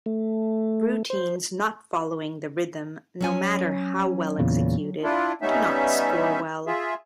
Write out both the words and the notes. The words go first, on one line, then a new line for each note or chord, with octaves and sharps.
Routines not following the rhythm, no matter how well executed, do not score well.
A3
C5
F#3 C#4 G#5
E2 A#2 C#3
D4 E4 F4
G3 B3 C#4 D#4 E5
F4 G#4 E5